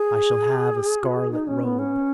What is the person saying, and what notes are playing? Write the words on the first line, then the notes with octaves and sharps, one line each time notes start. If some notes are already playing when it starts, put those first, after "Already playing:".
I shall have a scarlet robe.
Already playing: G#4
F#4
G#4
D#4
C#4
B3
C#4